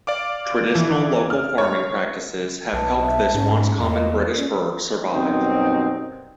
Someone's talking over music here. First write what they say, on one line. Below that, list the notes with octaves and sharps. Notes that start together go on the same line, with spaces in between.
Traditional local farming practices have helped this once common British bird survive.
D5 F5 D6
E3
F6
C#5
B1 B4 A5
E5
G#2 C#4
E2 A#3 D#5
D5
C#4
F#2 B2 G3 C4 D#4